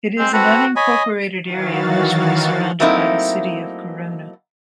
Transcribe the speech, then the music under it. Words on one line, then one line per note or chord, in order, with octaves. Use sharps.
It is an unincorporated area mostly surrounded by the city of Corona.
G#3 C4
C4 F#4 A4 B4
C#5 D#5 G#5 B5
D#3 E3 F#3 F#4 F5 A6
F#3 A3 A#3 C4 D#4 E4